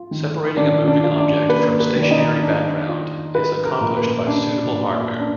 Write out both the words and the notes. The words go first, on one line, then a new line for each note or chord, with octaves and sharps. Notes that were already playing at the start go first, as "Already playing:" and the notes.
Separating a moving object from stationary background is accomplished by suitable hardware.
Already playing: F4
D#3
D#3 D4 D5
D4 D5
F4
D4 D5
A#3 B4
B4
D#3
D5
D#4 D#5
D4
F4
F4 B4
A#4
A#2
B4
D4 D5
A#2
D4